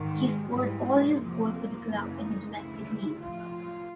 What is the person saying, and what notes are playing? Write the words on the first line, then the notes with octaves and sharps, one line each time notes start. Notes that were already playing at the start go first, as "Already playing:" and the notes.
He scored all his goals for the club in the domestic league.
Already playing: G#2 D#3
G#3
G#2 E3 G3
G#3
E2 C3 F3 A#3
F#2 C#3 E3
D#4
D2 C#3 E3 E4
A2 F3 F4